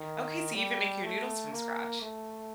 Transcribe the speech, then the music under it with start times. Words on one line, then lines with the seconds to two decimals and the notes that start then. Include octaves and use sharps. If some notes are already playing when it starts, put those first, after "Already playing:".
Okay, so you even make your noodles from scratch.
Already playing: D#3
0.55 G3
1.04 A3
1.53 A#3
2.02 A3